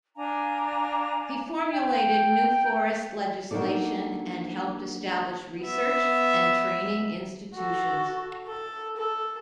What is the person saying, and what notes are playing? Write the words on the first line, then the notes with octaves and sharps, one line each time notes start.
He formulated new forest legislation and helped establish research and training institutions.
D4 F5 G#5 A#5
G5
F#3 A#3 D4 D#4 A4 D5
B3 E5
F#4 A4
A4
A4